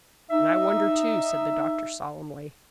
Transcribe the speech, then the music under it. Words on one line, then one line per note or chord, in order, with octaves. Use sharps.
"And I wonder too," said the doctor solemnly.
D#4 E5